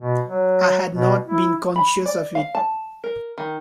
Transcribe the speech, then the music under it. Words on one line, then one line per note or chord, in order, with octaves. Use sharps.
I had not been conscious of it.
B2
F#3
B2
E4
B5
D5
F5
A5
A#4
D#3